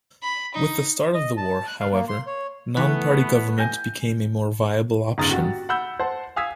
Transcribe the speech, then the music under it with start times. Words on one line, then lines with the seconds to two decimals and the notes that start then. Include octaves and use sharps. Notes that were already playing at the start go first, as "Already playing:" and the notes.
With the start of the war, however, "non-party" government became a more viable option.
0.23 B5
0.54 D#4
1.14 D#5
1.37 A5
1.68 F#6
1.80 F5
1.92 A#3
2.08 C6
2.27 C#5
2.77 E3 A3 B3 B4
3.58 G#5 G6 A#6
5.18 G1 G#2 C#3 A#5 D#6 A6
5.31 F#4 G4 F#5
5.69 F#5 B5 E6 G6
6.00 C5 F#5 A5
6.36 F5 G#5 D#6 E6 G#6 B6